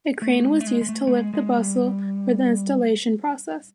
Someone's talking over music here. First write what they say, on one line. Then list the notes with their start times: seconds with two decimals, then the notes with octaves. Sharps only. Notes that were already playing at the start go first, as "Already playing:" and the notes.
A crane was used to lift the bustle for the installation process.
0.22 A3
0.44 G#3
0.61 A3
0.67 G#3
0.81 G#3
0.89 A3
1.07 A3
1.11 G#3
1.34 G#3
1.57 G3